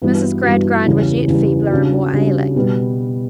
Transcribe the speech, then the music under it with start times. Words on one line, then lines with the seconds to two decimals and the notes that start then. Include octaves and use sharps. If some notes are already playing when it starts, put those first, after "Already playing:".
Mrs. Gradgrind was yet feebler and more ailing.
0.02 G2 E3 B3 F#4
0.44 G2 E3 B3 F#4
0.86 E2 C#3 G3
1.28 E2 C#3 G3
1.71 C#3 G3 D4 F#4
2.13 C#3 G3 D4 F#4
2.56 B2 G3 B3 F#4